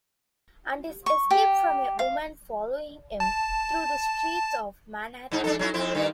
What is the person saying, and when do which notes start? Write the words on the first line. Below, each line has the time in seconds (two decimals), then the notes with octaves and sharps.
And his escape from a women following him through the streets of Manhattan.
1.06 C#6
1.31 G4
1.99 F5
3.20 A5
5.32 G#2 D#4
5.44 D4 D#4 A4
5.59 F#3 C#4 E4
5.74 F2 C4 E4
5.95 G2 D#3 D#4